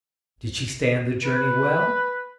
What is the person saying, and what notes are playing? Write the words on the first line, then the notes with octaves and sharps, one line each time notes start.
Did she stand the journey well?
B4